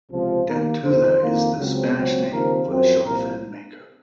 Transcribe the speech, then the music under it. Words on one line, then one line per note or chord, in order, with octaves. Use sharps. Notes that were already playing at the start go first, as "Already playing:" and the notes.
Dentuda is the Spanish name for the shortfin mako.
C#2 C3 F3
D#2 D#3 A#3 A#4
F2 C3 D#3 C5
F2 D#3 A#3
C#2 C#3 F#3 C4
C#2 C#3 F#3 C4
D#2 C#3 F3 C4 A#4
F#2 F3 C4
C2 A#2 F3 A#4